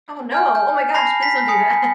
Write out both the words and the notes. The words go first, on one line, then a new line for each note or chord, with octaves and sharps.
Oh, no. Oh my gosh please don't do that.
G#5 F6 G6
G6
A5 B5 A#6 C7
B6
G#5 D#6 C#7